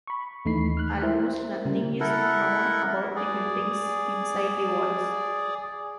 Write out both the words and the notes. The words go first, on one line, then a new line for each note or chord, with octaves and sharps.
Almost nothing is known about the buildings inside the walls.
B5 C#6
D#2 E3 A3 D#4 B5 C7
F6 F#6
E4 A#4 C5 E5
C#3 G3 A#4
E4 A4 A#4 F#5
G#4 D5